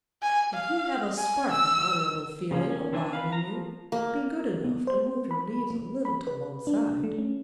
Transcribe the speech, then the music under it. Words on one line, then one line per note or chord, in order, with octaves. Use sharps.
If you have a spark of honourable feeling alive in you, be good enough to move your leaves a little to one side.
G#5
F5
G#5
E6
C#3 F3 A#3 C#4
C#4
D#3 C4 D4 G#5
B4 F5
A#5
F3
A#3
B3
C5
B5
A#3
B5
B4
D4
A3
C#4